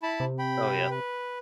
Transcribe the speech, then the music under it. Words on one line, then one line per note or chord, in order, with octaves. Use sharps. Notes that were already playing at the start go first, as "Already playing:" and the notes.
Oh, yeah.
E4 A5 B5
C3
G5 B5
B4